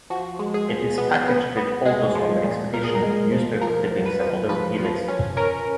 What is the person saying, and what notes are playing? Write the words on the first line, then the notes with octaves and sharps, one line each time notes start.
It is packaged with photos from the expedition, newspaper clippings and other feelies.
F3 F#4
G#3
G#4
F3
B3
B3
B3
G#3 G#4
F3
A#2
A#2 A#4
G#4
A#4
G#3
F3
F3 A#4
F3
B4
F3
F3 B4
F3
C#4
C#4 A#4